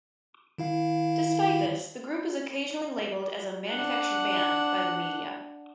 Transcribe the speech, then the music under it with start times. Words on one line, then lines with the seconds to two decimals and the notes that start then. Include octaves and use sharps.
Despite this, the group is occasionally labelled as a "manufactured band" by the media.
0.58 D#3 E4 F5
3.69 D4 F#5